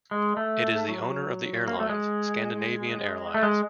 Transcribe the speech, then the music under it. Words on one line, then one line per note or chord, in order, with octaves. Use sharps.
It is the owner of the airlines Scandinavian Airlines.
G#3
A3
F#3
A#3
A3
G#3
A3
G#3